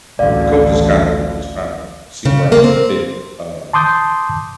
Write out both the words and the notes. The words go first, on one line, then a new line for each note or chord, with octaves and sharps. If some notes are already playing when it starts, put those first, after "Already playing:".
the coaches kinda was just trying to see where I could fit, um
A1 D2 D3 D5 F5
C#3
A#3
C4
A5 C6 D6 D#6 G6